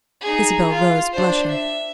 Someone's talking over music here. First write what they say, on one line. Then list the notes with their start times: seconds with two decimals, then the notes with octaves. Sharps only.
Isabel rose, blushing.
0.21 D#4 G#4
0.69 F4
1.12 D4 C5
1.48 E5